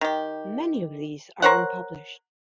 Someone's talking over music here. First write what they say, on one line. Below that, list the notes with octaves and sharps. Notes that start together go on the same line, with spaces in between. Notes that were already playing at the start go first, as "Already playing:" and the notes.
Many of these are unpublished.
D#3 G4
A#4 C5 C#5 F#5